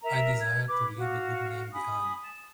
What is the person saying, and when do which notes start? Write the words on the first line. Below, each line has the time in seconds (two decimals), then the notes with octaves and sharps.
I desire to leave a good name behind me.
0.02 A#4 E5 A#5
0.40 G#6
0.69 B4 B5 D6
0.97 F#4 F5
1.72 G#5 B5 D#6
2.22 A5